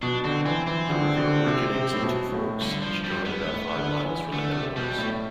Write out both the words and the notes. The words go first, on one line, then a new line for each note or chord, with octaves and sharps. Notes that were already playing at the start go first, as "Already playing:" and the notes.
The river originates in two forks, which join about five miles from the headwaters.
B2 D4
D3 C4
E3 C4
E3 C4
D3
D3
C3
C3
A2
B2
A2
G2 D3
F3
G3
B3
A2
D3
E3
D3 A3
C3
B2 G3
A2